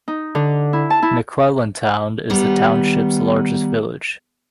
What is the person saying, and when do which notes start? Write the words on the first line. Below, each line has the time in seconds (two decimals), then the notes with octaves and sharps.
McClellandtown is the township's largest village.
0.08 D#4
0.35 D3
0.73 E4
0.90 A5
1.02 E4
2.30 D#3 G3 B3